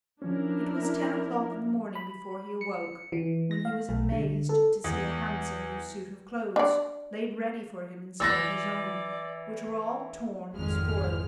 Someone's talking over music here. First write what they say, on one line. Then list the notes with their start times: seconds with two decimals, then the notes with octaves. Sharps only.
It was ten o'clock in the morning before he awoke, when he was amazed to see a handsome new suit of clothes laid ready for him, instead of his own, which were all torn and spoiled.
0.22 F3 C#4 D4 E4 A#4
1.95 B5
2.61 C#7
3.12 E3
3.51 A#6
3.65 F5
3.89 B1
4.12 D3
4.49 A4
4.84 E2
6.56 D4 D5
8.20 E3 D5 E6 A6 A#6
10.53 G#1 F2 G#3 F6